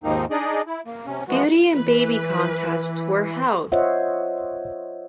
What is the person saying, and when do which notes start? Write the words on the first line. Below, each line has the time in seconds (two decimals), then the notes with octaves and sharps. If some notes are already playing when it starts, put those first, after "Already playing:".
Beauty and baby contests were held.
0.04 D#2 G#2 F3 A#3 C4 D#4
0.31 D4 D#4 G#4 D5 D#5
0.67 E4
0.86 A#3
1.06 C3 C#4
1.29 E3 F3 G#3 B3 F#4
1.73 E3 B4
3.72 F4 C5 C#5 D#5 E5 F#5